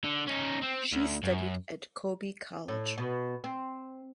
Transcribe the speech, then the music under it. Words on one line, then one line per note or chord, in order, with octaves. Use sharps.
She studied at Kobe College.
D3
C#4 D#4
C4
D2
F#2
A2
B2
C4